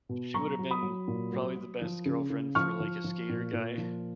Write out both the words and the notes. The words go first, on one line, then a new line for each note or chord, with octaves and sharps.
she woulda been probably the best girlfriend for, like, a skater guy.
B2
F#3 A#5 C#6
F#3
B5 D#6
F#3
A#2
F#3
F#3
F3
C#3
C#3
F3 C#6 F6
F3
F3
A#2
A#2
F3